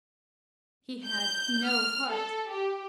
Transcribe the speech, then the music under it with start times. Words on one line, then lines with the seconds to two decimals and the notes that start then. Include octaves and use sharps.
He had no heart.
1.05 G6
1.64 F6
2.10 A4
2.50 G4